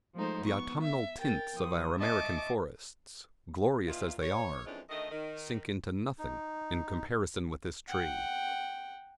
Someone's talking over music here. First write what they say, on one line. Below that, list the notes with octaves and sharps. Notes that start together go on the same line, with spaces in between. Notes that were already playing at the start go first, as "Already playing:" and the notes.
The autumnal tints of our American forests, glorious as they are, sink into nothing in comparison with this tree.
F3 G#3 A3 D#4 C5
B3 C#6
E5
A#4 G5 A6
F3 D#6
D#5 E5 A5 C#6 D6
A#2 D#3 E3 F4
C#5
F2 G#2 E3 C#4 D4
D2 D#3 A3 D#5
D#3
D#4
F#5 G5